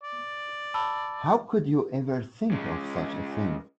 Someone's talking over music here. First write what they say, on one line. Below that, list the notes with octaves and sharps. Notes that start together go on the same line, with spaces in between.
How could you ever think of such a thing?
D5
A5 B5 E6
C#3 G#3